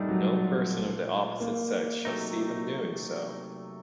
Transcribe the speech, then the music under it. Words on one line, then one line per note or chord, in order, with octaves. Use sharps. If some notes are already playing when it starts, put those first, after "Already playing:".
No person of the opposite sex shall see them doing so.
Already playing: A#2 G3 A3 D4 D#4
F#3
A#3
C3 F#3 A3 D#4